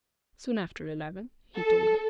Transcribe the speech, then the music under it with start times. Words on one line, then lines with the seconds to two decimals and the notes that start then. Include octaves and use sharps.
"Soon after eleven," he told her.
1.55 A4